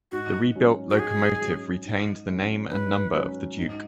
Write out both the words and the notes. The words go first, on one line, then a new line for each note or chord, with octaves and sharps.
The rebuilt locomotive retained the name and number of the Duke.
G#2 F#4
F#3 C#4
F#4
G#2 G#4
F#3 C#4
G#2
F#3 C#4
G#2 B4
F#3 C#4
G#2